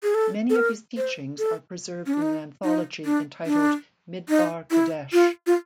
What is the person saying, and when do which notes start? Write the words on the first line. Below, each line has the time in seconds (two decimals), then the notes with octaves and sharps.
Many of his teachings are preserved in an anthology entitled "Midbar Kodesh".
0.03 G#4
0.15 A4
0.50 A4
0.56 A#4
0.97 C5
1.39 A4
2.06 C#4
2.14 D4
2.22 D#4
2.64 D#4
3.05 D4
3.46 D4
4.29 D#4
4.71 E4
5.13 F4
5.47 F4